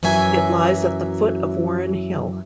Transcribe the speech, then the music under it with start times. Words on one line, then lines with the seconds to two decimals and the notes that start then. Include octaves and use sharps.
It lies at the foot of Warren Hill.
0.03 F#2 E3 F#3 E5 G#5